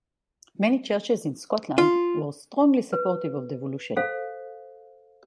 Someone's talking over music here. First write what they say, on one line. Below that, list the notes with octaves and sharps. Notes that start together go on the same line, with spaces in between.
Many churches in Scotland were strongly supportive of devolution.
F4
B4
A4 C5 F5